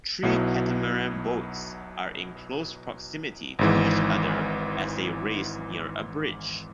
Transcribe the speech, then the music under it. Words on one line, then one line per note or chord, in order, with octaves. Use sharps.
Three catamaran boats are in close proximity to each other as they race near a bridge.
B1 B2 F#3 B3 E4
G#1 G#2 E3